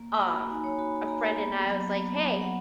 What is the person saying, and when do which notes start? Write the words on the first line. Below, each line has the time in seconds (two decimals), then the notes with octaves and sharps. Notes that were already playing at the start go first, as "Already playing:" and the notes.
um, a friend and I was like, "Hey,"
Already playing: A#3
0.22 F#4 B5
0.35 A#5
0.50 D#4 G#5
0.64 C#5
0.78 F#4 B5
0.96 B5
1.08 A#3 A#5
1.31 B5
1.36 B3 A#5
1.65 F#3
1.94 B3
2.23 F#3
2.42 F#5